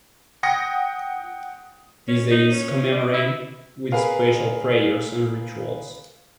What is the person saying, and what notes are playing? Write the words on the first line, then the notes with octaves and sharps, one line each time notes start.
This day is commemorated with special prayers and rituals.
F#5 G5 D#6 A#6 C#7
C#4
D#4
C#4
G3
E4
G#4 A#4 B4 F5